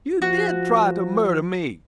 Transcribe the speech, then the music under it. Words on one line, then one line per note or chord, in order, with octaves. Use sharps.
"You did try to murder me!"
F3 F#4